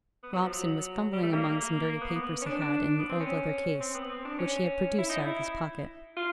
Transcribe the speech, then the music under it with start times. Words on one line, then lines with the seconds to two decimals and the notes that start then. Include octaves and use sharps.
Robson was fumbling among some dirty papers he had in an old leather case, which he had produced out of his pocket.
0.23 B3
0.33 F#3
0.42 F3
0.53 F#3
1.13 G3
1.23 A3
1.33 A#3
2.01 B3
2.16 B3
2.42 C#4
2.46 D4
2.61 D4
2.99 B3
3.10 C4
3.20 C#4
3.80 C4
3.94 B3
4.09 C4
4.25 D4
4.39 C#4
4.98 E4
5.09 D#4
5.19 E4
6.17 F4